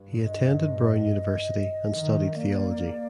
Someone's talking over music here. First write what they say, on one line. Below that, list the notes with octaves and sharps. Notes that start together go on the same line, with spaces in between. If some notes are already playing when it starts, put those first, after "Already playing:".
He attended Brown University and studied theology.
Already playing: G2
D#5
D#3
A#3 D5